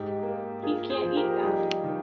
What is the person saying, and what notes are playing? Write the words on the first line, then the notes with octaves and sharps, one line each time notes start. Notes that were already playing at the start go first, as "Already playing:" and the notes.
He can’t eat that.
Already playing: G#2 D#4 G4
A#3
A#3 F4 G#4
G#4 C5
F3
G4 A#4
G#4
G3 D#4 G4
D#3